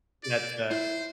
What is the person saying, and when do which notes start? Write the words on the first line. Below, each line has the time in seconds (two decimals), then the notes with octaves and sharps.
That's the
0.24 D5
0.70 E4 C5